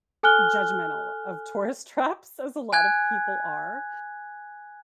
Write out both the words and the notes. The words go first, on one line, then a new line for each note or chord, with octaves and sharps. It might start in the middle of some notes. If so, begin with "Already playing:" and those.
judgmental of tourist traps as a lot of people are.
A4 G#5 F6 F#6 G7
G#5 F#6 G#6